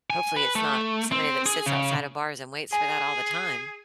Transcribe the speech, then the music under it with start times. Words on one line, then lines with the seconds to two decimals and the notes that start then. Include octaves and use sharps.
Hopefully, it's not somebody that sits outside of bars and waits for that all the time
0.10 G#5
0.36 B4
0.55 A3
1.12 C4
1.46 G#4
1.66 C#3
2.73 G#4 G#5